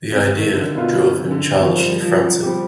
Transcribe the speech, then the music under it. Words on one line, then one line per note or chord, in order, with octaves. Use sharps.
The idea drove him childishly frantic.
C3
D#3
D3
B2 D3 B3 F4
D3
D#3 F3 C4 F4 C5
G3
F3
G3 C4 G4